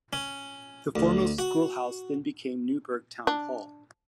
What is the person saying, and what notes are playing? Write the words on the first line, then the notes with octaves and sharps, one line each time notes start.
The former schoolhouse then became Newburgh Town Hall.
C#4
D2
F#4
D4